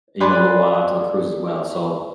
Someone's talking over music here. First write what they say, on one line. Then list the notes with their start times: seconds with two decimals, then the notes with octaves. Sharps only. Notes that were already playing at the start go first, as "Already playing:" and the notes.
you know, a little while after the cruise as well. So,
0.20 B4 D5 G#5 B5 C6 F#6